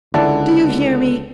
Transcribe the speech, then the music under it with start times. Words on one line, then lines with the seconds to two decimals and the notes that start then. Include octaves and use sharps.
Do you hear me?
0.14 C#2 D3 E4 D5 F#5 A5